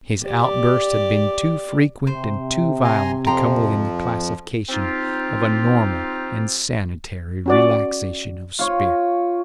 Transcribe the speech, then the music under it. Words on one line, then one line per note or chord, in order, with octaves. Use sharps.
His outbursts had been too frequent and too violent to come within the classification of a normal and sanitary relaxation of spirit.
G4 D5
C3 C5
G#5 A#5 C6
F2 F3 G5 A#5 C6
C4 D#4 F4 G4
C#4 F#4 D5
F4 C#5